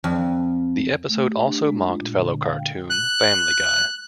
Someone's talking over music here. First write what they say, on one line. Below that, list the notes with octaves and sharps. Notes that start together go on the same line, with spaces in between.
The episode also mocked fellow cartoon "Family Guy".
F2
A3
G4
D4
G#3
F4
A#2
D3
F5
G5
F#6